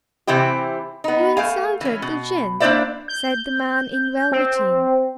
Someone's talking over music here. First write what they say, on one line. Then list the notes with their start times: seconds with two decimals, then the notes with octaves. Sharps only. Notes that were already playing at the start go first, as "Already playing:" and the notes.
"You insulted the gent," said the man in velveteen.
0.27 C3 E3 C4 E4 G4
1.04 B3 D#4
1.37 A3 F5 G#5
1.81 E3 C#4
2.02 B2
2.60 A#3 D4 E4 C5 D5 E5
3.08 G6
4.32 C4